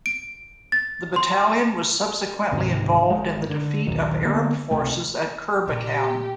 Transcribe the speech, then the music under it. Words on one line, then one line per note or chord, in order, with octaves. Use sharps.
The battalion was subsequently involved in the defeat of Arab forces at Kirbekan.
D7
A6
C6
C#2 G#2 C3 D#3
G1 G#3
D3
A#1 D#2 D#3 F#3
D3 A#3 B3
C#2 C3 A3
A#2 G4